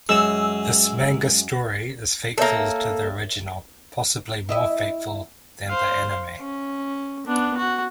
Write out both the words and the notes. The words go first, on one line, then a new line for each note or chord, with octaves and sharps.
This manga story is faithful to the original, possibly more faithful than the anime.
F#2 G#3 G#5 E6
A#3 A4 A#4 C#5 E5
E4 D#5 E5
C5 F5
C#4
B3 D4
F#4